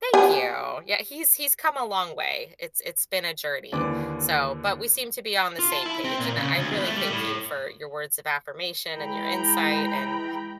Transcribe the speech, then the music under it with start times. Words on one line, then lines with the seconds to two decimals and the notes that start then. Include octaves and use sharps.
Thank you, yeah, he's he's come a long way, it's it's been a journey, so, but we seem to be on the same page and that I really thank you for your words of affirmation and your insight and
0.14 G4 G#5
3.72 D#2 D3 E3 D6
5.59 F4
5.72 A5
5.85 E4
6.04 C4
6.20 A#2
6.37 C#3
6.55 D2
6.72 E2
6.84 A3
6.96 G3
7.08 A2
8.96 E3 G#3 G5 A#5 B5